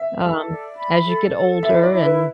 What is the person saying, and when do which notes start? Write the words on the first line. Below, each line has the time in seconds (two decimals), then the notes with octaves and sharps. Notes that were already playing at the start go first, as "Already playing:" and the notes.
Um, as you get older and
Already playing: E5
0.20 A4
0.49 D5
0.77 B5
1.05 A4
1.33 A4
1.62 E4 E5
1.83 D5
1.91 E4
2.04 B4